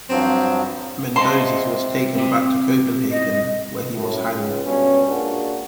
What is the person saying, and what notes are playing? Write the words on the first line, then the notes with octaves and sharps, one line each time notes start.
Mendoses was taken back to Copenhagen where he was hanged.
G2 F3 F#3 C4
C3 D#5 F5 A5 C6
C4 E5
D#5
F#2 A2
C#2
G2 B2 C#4
A#2 G#3 D4 F#4